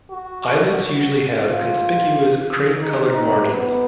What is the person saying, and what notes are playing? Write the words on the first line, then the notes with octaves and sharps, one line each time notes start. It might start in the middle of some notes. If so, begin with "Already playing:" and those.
Eyelids usually have conspicuous cream-coloured margins.
F#4
F4
D#4
D#4
B3